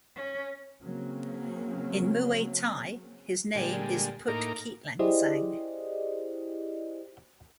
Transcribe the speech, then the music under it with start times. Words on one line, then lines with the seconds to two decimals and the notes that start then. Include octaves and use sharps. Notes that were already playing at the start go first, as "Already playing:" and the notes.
In Muay thai his name is Put Keitlansang.
0.16 C#4
0.83 C#3 F#3 A#3 C4 C#4
3.55 A#2 D3 G3 G#3
4.28 A2 A#3 D#4 A#4 D6
4.99 E4 G4 G#4 C5 D5 D#5